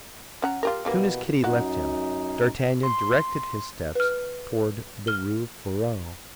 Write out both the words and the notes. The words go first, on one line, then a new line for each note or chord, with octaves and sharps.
Soon as Kitty left him, d'Artagnan directed his steps toward the Rue Ferou.
C#4 F#5 A#5
F4 G4 A#4
B2 E3 G3 A#3 B3
F#2 D#4 F#4 F#5
C6
B4 F6
F6 G7